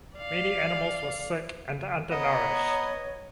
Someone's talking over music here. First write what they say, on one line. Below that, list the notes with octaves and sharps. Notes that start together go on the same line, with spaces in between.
Many animals were sick and undernourished.
D5 F5
B3 C#5 D#5 A#5